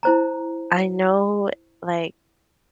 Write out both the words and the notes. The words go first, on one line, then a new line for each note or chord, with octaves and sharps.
I know, like,
E4 C5 A#5